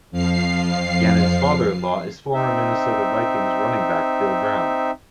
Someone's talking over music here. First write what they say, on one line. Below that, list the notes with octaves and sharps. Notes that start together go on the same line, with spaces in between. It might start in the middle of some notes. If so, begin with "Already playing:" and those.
Gannon's father-in-law is former Minnesota Vikings running back Bill Brown.
F2 F3 F5 C7
C4 D#4 E5